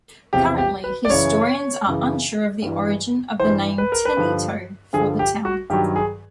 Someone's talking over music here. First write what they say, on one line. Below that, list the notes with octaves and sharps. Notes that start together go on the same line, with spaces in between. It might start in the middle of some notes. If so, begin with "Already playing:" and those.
Currently historians are unsure of the origin of the name "Tenino" for the town.
E2 C3 F3 G4
G4
B4
D5
F#2 C#3 E3 C#5
F#2 C#3 E3
G2 E3
G2 E3 C5
B4
A#4
B4
G2 D3 F3
G2 D3 F3 G#4
G4
F#4
G2 D#3 F#3 G4
G#4